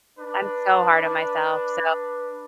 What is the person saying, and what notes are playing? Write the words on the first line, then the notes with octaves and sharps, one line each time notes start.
I'm so hard on myself, so
D4 B4